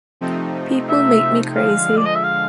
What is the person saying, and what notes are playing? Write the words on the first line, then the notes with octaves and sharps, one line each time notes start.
People make me crazy!
C3 F3 A3 C4 D#4
E5
D3 F3 G#3 F5
D5
D#5
E5
F5